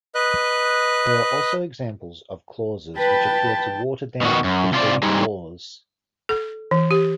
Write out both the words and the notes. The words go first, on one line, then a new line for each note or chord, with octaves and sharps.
There are also examples of clauses which appear to water down preceding laws.
B4 D#5 F#6
B4 G5 A5
B2 D#3 F#4
F#2
C3 F4 C5 D5
G3 G#3 C4 D#4
A4
E3
G4